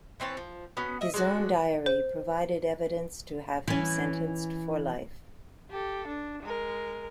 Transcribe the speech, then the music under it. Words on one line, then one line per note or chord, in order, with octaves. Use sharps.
His own diary provided evidence to have him sentenced for life.
E3 C4 C#5 A5
F3
B3 C#4 F#4
D#5 E5
G#3 D4 F#4 A4
C5
E3 C#4
G4 A4
D4
G#3 A#4